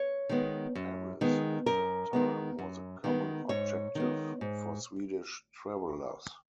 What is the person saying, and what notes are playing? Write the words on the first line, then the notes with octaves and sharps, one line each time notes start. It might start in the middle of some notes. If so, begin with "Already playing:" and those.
Paris at that time was a common objective for Swedish travelers.
Already playing: C#5
D#3 G#3 B3
F#2
D#3 G#3 B3
F#2 A#4
D#3 G#3 B3
F#2
D#3 G#3 B3
G#2 C#5
D#3 G#3 B3
G#2